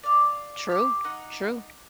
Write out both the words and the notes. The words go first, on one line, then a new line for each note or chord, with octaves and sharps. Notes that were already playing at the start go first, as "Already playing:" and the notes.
True, true.
D5 F5
G4 F5
D#4 D#5 F#5